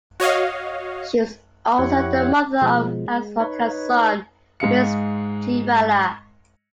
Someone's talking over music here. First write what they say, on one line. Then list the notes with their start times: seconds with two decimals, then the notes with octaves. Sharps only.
She was also the mother of Ashoka's son, Prince Tivala.
0.20 F#4 C#5 D#5 F5
1.78 F2 E4 G4 C#5 F#5
2.62 B2 F3 G#3
3.07 G#3
3.40 D#4 B4 C#5
4.60 G#2 G#3 F5 C#7